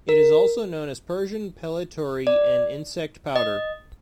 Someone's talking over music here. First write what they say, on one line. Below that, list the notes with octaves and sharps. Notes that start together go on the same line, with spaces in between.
It is also known as Persian pellitory and insect powder.
A#4
D5
D#5